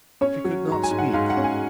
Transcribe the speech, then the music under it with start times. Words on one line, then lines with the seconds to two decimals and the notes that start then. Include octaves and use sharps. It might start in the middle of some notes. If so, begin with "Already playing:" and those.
She could not speak.
0.21 C#4 C#5
0.45 F#3
0.67 G#2 A#5
0.83 G#5
0.91 G#2
0.98 F#5
1.13 G#2 F5
1.30 F#5
1.37 C#4
1.44 G#5